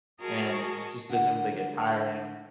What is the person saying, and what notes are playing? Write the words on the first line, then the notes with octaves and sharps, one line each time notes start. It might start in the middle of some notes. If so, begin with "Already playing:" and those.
and it just doesn't really get tiring.
F#4 G#4 A#4 D#5 A5 C#6
D3 A#4 F#5